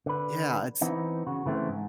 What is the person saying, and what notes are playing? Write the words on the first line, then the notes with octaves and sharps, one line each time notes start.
Yeah, it's
D3 B4
E3 B3 C4 D#4
C#3 F#4
C#3 E3 A3 C4
G#2